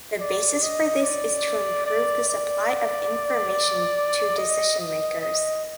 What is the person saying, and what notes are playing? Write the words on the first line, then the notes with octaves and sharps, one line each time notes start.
The basis for this is to improve the supply of information to decision-makers.
D5
D#5
D5
D5
D5
D#5
D#5
D#5